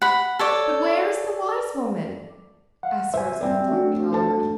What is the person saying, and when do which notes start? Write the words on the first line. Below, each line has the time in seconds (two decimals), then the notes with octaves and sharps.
"But where is the wise woman?" asked Rosamond, looking all about.
0.02 F#5 B5
0.39 A4 C#5 D5
2.83 F5 F#5
3.14 C5 E5 G#5
3.41 C4 D5
3.71 A3 D4 F#4
4.13 A4 C5 A5